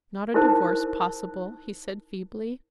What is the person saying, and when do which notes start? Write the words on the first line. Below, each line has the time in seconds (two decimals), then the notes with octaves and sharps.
"Is not a divorce possible?" he said feebly.
0.34 D#4 E4 A#4 C5 A5